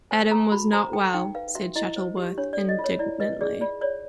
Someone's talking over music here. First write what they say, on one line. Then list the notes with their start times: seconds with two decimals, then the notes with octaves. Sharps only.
Adam was not well, said Shuttleworth indignantly.
0.11 C5 G#5
0.31 A4 A#5
0.52 F#4 B5
0.73 C5 A#5
0.93 A4 G5
1.14 D#4 G5
1.35 B4 F5
1.55 F#4 E5
1.76 E4 D#5
1.96 C5
2.17 G4
2.38 D4 C#5
2.53 D5
2.58 A4
2.69 D#5
2.79 F4
2.84 C#5
2.99 E4 D5
3.20 B4 D#5
3.41 G#4 D5
3.61 F4 D5
3.81 C#5 D5